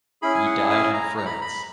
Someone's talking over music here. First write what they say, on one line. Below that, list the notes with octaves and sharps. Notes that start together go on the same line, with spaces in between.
He died in France.
C#4 E4 G#4 B5
G#5
F#5
G#5
G#5
A#5
A#5
B5
A#5
B5